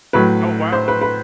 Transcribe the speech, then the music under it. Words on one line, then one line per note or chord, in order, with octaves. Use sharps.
Oh, wow.
A2 F#3 B4
C5
B4
B4